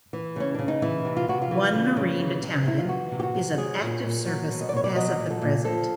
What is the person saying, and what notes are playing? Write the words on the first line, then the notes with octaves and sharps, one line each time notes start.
One Marine Battalion is of active service as of the present.
E3
C#3 C#4
C#3 D4
D#4
E3 E4
C3
F4
C3 F#4
F4
E3
C#3
C#3
E3
C3
C3 E4
F4
E3 F#4
C3
G4
F#4
C3
F#3 G#4
A#2
A#2
F#3
B2
D#5
D5
B2 C#5
D5
F#3 D#5
A#2
A4
A#2
F3 A4